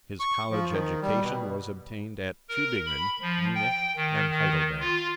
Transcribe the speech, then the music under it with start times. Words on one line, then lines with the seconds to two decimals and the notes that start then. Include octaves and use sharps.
His college education was obtained at Tuebingen, Munich, and Heidelberg.
0.20 C#6
0.51 F3
0.71 D#3
1.02 G3
1.22 B2
2.49 A#4
2.86 B5
3.22 F3
3.55 G5
3.97 D#3
4.30 D#3
4.80 F4